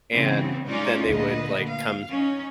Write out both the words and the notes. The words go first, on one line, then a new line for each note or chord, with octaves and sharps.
And then they would, like, come
C#3 E3 B3 C4
G#3 C#4 D#4 F4 D5
D2 A#2 D3 B4 D#5
F5
C#4 D#4